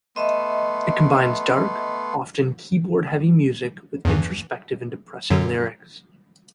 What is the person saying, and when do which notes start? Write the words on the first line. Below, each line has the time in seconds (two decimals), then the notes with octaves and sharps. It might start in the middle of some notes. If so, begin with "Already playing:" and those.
It combines dark, often keyboard-heavy music with introspective and depressing lyrics.
0.16 A3 B3 D#5 E5 C6
4.05 E2 G2 E3
5.30 F#2 D3 F#3